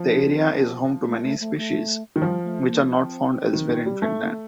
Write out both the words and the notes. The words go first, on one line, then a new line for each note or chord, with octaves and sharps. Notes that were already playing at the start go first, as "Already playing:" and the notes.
The area is home to many species which are not found elsewhere in Finland.
Already playing: F3
D4
C4
A3
A3
A3
A3
D#3
F3 G3
A3
A#3
C4
D#3
D#3
G3
A3
A#3